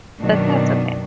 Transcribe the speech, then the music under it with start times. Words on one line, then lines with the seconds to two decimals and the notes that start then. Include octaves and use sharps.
But that's okay.
0.20 F#2 B2 D#3 F#3 A#3 D4